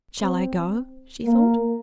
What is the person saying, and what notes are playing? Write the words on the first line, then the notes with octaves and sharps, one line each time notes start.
"Shall I go?" she thought.
C4
A#3